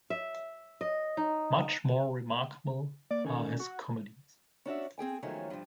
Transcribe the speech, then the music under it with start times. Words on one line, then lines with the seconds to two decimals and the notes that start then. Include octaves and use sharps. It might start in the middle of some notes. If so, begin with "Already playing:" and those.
Much more remarkable are his comedies.
0.10 E5
0.81 D#5
1.17 D#4
3.11 A#3 D5
3.25 D#3 C#4 A4 G#5
3.60 F#4
4.66 C#4 D4 F#4 E5
4.98 C4 G#4 G5 G#5
5.23 D#3 F3 F#3 G#3 A3 C#4
5.50 G2 F3